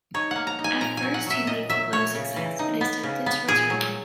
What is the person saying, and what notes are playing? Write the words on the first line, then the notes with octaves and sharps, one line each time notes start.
At first he meets with little success, and is tempted to return home.
D#4 C#5
A#3 F#5
A#5
D#4
G#5
A#2 A#5
G#5
F#3
F#5
F#3 E5
A#2 D#5
F#3 E5
A#2 C#5
C#3
E3
D#4
B3
C#3
B3
A#2 G#4
F#3